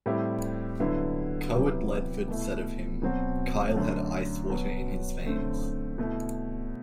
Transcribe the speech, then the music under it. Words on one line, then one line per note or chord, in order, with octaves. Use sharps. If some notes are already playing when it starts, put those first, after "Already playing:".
Cawood Ledford said of him, Kyle had ice water in his veins.
A2 G3 C4 E4 G4
G2 D3 F#3 B3 E4
C3 F#3 B3 E4 G4
B2 A3 E4
B2 F#3 C4 F#4
F#2 D3 A3
B2 F#3 B3 F#4
F#2 D3 A3 C4
B2 A3 E4